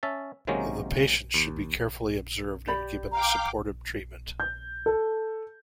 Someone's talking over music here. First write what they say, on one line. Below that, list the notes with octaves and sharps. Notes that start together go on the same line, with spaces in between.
The patient should be carefully observed and given supportive treatment.
C#4 E5 A5
C3 D#3 F#3 G#3 A#3 C#4
D#2
G4 D5 B5
F5 G5 A#5 D6
G6
A4